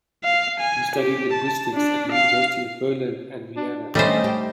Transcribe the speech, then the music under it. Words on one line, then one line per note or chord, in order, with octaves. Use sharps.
He studied linguistics at the universities of Berlin and Vienna.
F5
G#5
G4
A5
D4
F5
D4
G3 A3 C#4 D#4 C5 D#5
G4